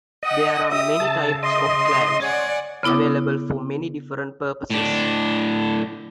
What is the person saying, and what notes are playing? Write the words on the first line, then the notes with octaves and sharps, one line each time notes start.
There are many types of clamps available for many different purposes.
D#5 F#5 G5
G4 E5 D#6
C#3 A5
D#5 C6
C#5 D5 F#5 G#5
C#3 B3 E4 D6 D#6
A2 D4